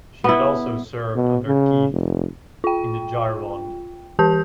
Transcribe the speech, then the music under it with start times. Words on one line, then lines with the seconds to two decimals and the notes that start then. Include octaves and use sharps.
She had also served under Kieth in the Gironde.
0.24 B3 E4
1.16 B2
1.47 C#3
1.92 F1
2.64 F4 G5
4.19 E3 G4 A5 G6